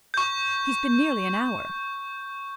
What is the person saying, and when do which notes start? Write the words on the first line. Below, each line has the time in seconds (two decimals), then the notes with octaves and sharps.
He's been nearly an hour.
0.14 C#6 G6